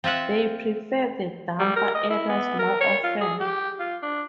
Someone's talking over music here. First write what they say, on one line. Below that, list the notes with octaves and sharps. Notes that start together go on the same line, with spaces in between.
They prefer the damper areas more often.
C4 F4 E5 F#5
G3
A#4
D#5
E4
B3
A#4
C#5
F4
G#4
G4
F4
D4